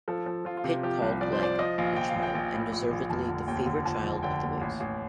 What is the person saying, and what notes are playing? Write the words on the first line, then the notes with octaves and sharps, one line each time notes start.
Pitt called Legge, the child, and deservedly the favourite child, of the Whigs.
F3 A4
F3
F3 F4
F4
C3 G4
F3 G4
C2
F3 D5
C5
F3 D5
F3 D#5
A#1 F5
A#1 G5
F5
A#1
G5
A#1
A2
A#1
A#1
F1 A5
D3
D#2 G5
D3
F3 A5
F1
D3 G5
D#2
A1
A1